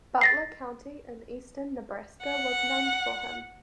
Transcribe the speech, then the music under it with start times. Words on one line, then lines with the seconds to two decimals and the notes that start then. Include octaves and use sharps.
Butler County in eastern Nebraska was named for him.
0.21 A6 A#6 C7
2.24 F#5